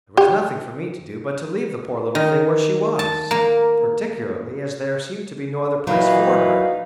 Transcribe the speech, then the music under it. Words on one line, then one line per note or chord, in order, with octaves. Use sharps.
There was nothing for me to do but to leave the poor little thing where she was, particularly as there seemed to be no other place for her.
G4
D#3
A5
A#3
A#2 E3 F#3 D#4 B4 F5